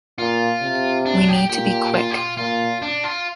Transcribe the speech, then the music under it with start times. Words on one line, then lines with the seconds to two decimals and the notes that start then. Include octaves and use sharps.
We need to be quick.
0.18 A#2 F4
0.62 C3
1.06 D4
1.29 G4
1.50 A#2 G4
1.94 F4
2.11 G4
2.15 F4
2.37 A#2 F4
2.82 D4
3.04 F4